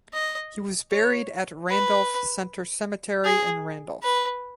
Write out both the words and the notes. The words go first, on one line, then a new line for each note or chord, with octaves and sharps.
He was buried at Randolph Center Cemetery in Randolph.
D#5
C#5
B4
G#4
B4